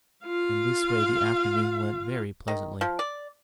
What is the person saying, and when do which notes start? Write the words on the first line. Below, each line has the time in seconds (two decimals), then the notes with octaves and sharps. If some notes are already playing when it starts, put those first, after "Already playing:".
In this way the afternoon went very pleasantly.
0.25 F4 F5
2.48 D#3
2.81 F3
2.99 D5